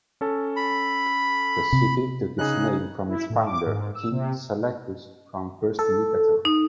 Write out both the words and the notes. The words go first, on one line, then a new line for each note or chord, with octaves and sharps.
The city took its name from its founder, King Seleucus the First Nicator.
C#4 A4 A5
B5
C3
C#3 D#4 G#4 F#6
E4
A2
D6
G#2
E6
C3
A4
D#4